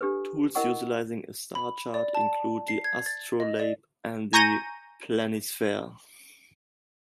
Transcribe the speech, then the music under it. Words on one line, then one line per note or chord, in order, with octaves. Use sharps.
Tools utilizing a star chart include the astrolabe and the planisphere.
D4 G4 A4 B4
E4 A#4 D#5 F#5 C#6
B5
D5
A5
C7
G#6
A6
D#5
D5
G#5 A#5 C#6 G6 A#6 D#7